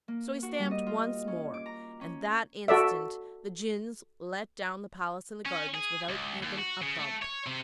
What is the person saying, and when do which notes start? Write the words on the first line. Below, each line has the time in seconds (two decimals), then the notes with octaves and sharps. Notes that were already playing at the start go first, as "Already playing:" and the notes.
So he stamped once more, and that instant the Djinns let down the Palace and the gardens, without even a bump.
0.08 A#3
0.43 F#4
0.59 G3
0.71 D#5
0.86 F4
1.28 C#4
1.54 D6
1.66 A#5
2.01 C#4
2.68 F#4 A4 D5 E5
5.46 C#4
5.75 G#4
6.09 C#2
6.42 D#2
6.58 F#4
6.81 C#3
6.98 A3
7.22 C#5
7.46 C3